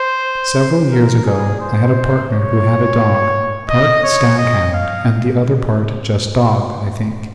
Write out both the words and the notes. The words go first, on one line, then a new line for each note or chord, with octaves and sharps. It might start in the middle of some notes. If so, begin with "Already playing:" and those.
Several years ago I had a partner who had a dog, part stag hound and the other part just dog, I think.
Already playing: C5
A#4
G#4
C5
C#5
D#5
C#5
D#5
F5